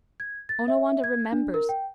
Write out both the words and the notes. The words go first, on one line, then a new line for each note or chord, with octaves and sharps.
Onawandah remembers!
G#6
A6
E5
G#6
D4
A#4
G5